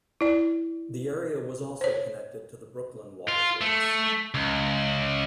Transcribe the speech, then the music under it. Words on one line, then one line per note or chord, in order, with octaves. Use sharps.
The area was also connected to the Brooklyn waterworks.
E4 D5
C5 C#5
F4
A3
C#2